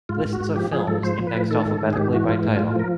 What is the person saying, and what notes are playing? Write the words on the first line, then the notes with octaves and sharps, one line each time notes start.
Lists of films indexed alphabetically by title.
G#2 F4
G#2
F#4
G#2
F3 G4
F3 G#4
G#2 A4
F3 C5
F3
B4
A2
D#3 A4
G#2
D#3
G#4
G#2 G4
E3 F#4
G#2 F4
A2
F4
A2
F4
F3 A#4